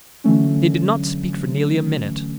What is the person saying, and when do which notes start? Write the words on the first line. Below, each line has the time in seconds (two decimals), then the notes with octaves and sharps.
They did not speak for nearly a minute.
0.24 D3 E3 F#3 A3 C#4